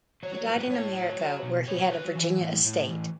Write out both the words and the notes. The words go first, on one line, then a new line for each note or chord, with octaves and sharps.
He died in America, where he had a Virginia estate.
F#3 C#5
C#5
A2 B4
B4
A2 C#5
F#3
F#3
B2
B2 C#5
C#5
F#3 B4
E3
A2
A2
E3